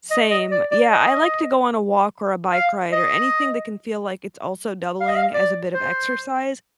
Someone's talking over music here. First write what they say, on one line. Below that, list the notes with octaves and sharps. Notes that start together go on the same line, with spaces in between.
Same. Yeah, I like to go on a walk or a bike ride, or anything that can feel like it's also doubling as a bit of exercise,
D#5
D#5
D5
D5
D#5
F5
D#5
F5
D#5
F5
D5
C5